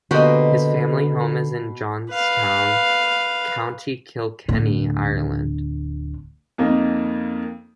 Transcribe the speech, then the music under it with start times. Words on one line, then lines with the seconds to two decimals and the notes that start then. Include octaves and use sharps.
His family home is in Johnstown, County Kilkenny, Ireland.
0.11 B2 D3 A#3 F#4 G4 C5 D#5
2.11 B4 F5
4.48 D1 D3
6.58 F2 A#3 D#4